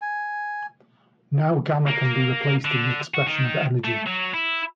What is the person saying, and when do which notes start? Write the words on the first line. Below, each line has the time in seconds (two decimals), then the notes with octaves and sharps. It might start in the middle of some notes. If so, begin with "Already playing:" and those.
Now, gamma can be replaced in the expression of energy.
0.02 G#5
1.87 A#3
2.65 D3
3.14 F#4
3.27 D#3
3.84 A3
4.07 F#3
4.34 E4